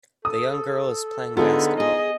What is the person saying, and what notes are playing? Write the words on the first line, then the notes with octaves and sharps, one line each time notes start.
The young girl is playing basketball.
A4 D#6
D3 B3 D#4 F4 G#4 A4
G#4 D#5